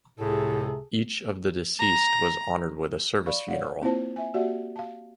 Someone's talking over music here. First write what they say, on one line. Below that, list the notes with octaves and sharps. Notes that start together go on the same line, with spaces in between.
Each of the deceased was honoured with a Service funeral.
C#2 A2 C3 G#4 A4
A#5
D5 F5 B5 C#6
C#5 D5 F5 F#5
A#3 C4 E4 F4 C5 A5
E5 G#5
A#3 F#4 G4 D5 E5 F#5
F5 A5